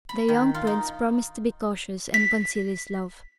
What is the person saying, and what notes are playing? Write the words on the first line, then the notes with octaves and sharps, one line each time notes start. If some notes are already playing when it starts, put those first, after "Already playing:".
The young prince promised to be cautious, and conceal his love.
B5
D#3
F4
D#4
B6